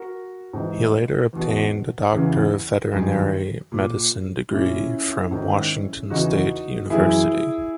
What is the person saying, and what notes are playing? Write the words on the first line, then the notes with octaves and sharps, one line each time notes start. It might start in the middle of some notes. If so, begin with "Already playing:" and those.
He later obtained a Doctor of Veterinary Medicine degree from Washington State University.
Already playing: F#4 A#4
G#2 E3
E2 B2
E2 C#3 E3
F#2 D#3
A#2
A#2 C#4 E4
G#2 D#3
E2 C#3 E3 D#4 F#4
F#2 E3 E4 G#4